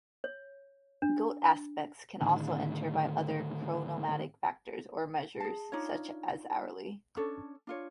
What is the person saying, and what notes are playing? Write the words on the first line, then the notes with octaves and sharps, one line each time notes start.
Goat aspects can also enter by other chronomantic factors or measures, such as hourly.
C#5
D4
A2 D3 D#3
G#4 A5
D4 D#4 F4 C#5
C#4 D4 A4 C#5
D4 F4 C#5